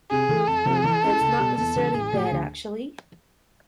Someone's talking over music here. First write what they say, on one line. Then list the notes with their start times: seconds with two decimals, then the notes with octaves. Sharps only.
That's not necessarily bad, actually.
0.11 C3 G#4
0.29 E3 A3
0.47 F2 A4
0.66 C3 F3
0.84 E3
1.02 A3 C#4 E4 G#4
1.21 C#2
1.39 B2 G3
1.58 E2 A4
1.76 C#3 E3 G3
1.94 A1 G#4
2.12 A2 F3 A3
2.31 D2